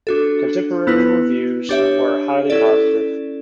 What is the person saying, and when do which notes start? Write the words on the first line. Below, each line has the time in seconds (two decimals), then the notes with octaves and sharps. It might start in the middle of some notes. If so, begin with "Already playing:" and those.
Contemporary reviews were highly positive.
0.07 D4 F#4 A4
0.87 B3 E4 B4
1.69 D4 G4 C#5 E5
2.50 C#4 E4 A4 D5